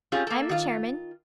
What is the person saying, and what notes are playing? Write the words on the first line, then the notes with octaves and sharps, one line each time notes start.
I am the chairman.
C4 C#4 F4 G4 G#4
A#3 A4
D#3 F4